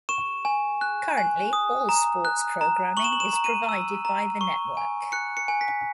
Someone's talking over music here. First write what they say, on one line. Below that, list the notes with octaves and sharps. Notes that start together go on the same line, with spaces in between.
Currently, all sports programming is provided by the network.
C#6 E7
G#5
F#6
G#5
D#6
A#5
F#6
A#5
C#6 F#7
E7
F#7
E7
A#5
D#7
E6
A#5
C#6
G#5
F#6 C#7
C#7
G#5
B6